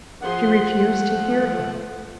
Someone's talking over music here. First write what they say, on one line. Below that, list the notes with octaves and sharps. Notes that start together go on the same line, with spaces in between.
She refused to hear him.
F3 G#4 F#5 C6
F3 A3